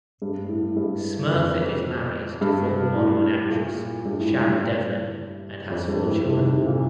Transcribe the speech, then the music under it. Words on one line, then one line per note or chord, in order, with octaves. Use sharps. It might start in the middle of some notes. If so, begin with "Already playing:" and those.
Smurfit is married to former model and actress Sharon Devlin and has four children.
G2
A2
G2
F2
G2
A2
A#2
G2
A2
G2
G2
F2
G2
A2
C3
D#3
C3
A#2